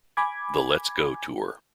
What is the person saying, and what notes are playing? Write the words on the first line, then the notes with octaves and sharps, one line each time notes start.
The Let's Go Tour.
G#5 B5 D6 G#6